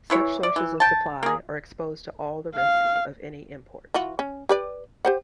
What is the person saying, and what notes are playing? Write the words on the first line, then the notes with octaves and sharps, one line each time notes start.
Such sources of supply are exposed to all the risks of any import.
E3 E4 C#5
D5
E3
G5 A5
A#3 G#4
F5
E3 F4 F#4
C#4
G4 B4 D5
G4 C5 F#5